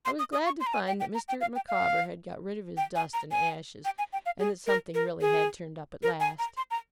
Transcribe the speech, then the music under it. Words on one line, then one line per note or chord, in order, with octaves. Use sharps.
I was glad to find that Mr. Micawber had got rid of his dust and ashes, and that something really had turned up at last.
C6
D#6
D#6
C#6
C6
A#5
G#5
G5
G5
A#5
G5
F5
G5
F5
G5
G#5
A#5
G#5
G5
G#5
G5
F5
G#4
A#4
A#4
G#4
A#4
G#5
A#5
C6
A#5